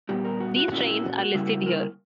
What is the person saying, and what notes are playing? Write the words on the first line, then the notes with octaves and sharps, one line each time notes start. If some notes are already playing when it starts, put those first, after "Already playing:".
These trains are listed here.
A#2 G3 B3 G4
A#4
F#4
F#4
A#2 A#3 C#4 E4 F#4
E4
F#4
C#3 G3 A#3 E4
A#4